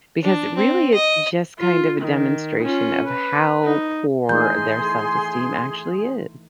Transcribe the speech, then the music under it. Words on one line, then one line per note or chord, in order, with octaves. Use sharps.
because really it's just kind of a demonstration of how poor their self-esteem actually is.
D4
C4
D#5
F4
D#3
C#4 F4
B4
D#4
E3 A3 D#4 G#4 C6 G6